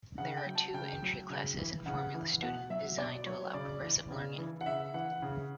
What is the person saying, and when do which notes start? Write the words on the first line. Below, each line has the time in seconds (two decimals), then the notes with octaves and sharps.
There are two entry classes in Formula Student, designed to allow progressive learning.
0.18 C#3 F#5
0.37 G5
0.46 F#3
0.55 A5
0.74 C#3 G5
1.02 F#3
1.30 C#3
1.59 E3
1.86 C#3 F#5
2.14 E3
2.42 B2 F#5
2.70 F#3 E5
2.98 B2 D5
3.26 F#3 C#5
3.54 C#3 D5
3.82 E3
4.10 C#3
4.38 E3
4.61 F#5
4.66 C#3 E5
4.94 E3 F#5
5.22 C#3